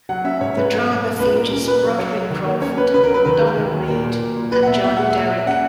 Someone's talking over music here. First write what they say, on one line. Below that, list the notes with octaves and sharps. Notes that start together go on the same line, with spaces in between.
The drama features Broderick Crawford, Donna Reed and John Derek.
F#3 F#5
C#4 E5
G#2 C#5
G#2 B4
F#3
B2
B3
C#2 B4
A#2 A#4
C#4 A#4
A#2 B4
F#3
F#3 C#5
F#3
D#3
A#3
C#4 C#5
C#4 B4
C#3 B4
A#4
F#3 B4
D#3 B4
G#3
D#3
D#2
A#2 A#4
A#2
A#2
A#2
A#2 B4
F#5
B3 E5
A#2 E5
G#3 F#5
A#2 E5
A#2
C#4 F#5